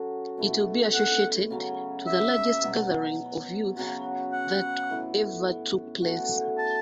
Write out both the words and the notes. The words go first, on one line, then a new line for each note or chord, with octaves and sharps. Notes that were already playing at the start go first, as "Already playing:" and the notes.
It will be associated to the largest gathering of youth that ever took place.
Already playing: F#3 C#4 F#4 A4
B2 A3 E4
F#5
C#3 F#3 C#4
E5
B2 F#3 B3
C#3 F#3 C#4 F#4
F#5
A2 E3 B3 E4
E3 A3 F#4
A5